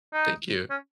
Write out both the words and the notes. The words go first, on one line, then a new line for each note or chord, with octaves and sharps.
Thank you.
D#4
C#4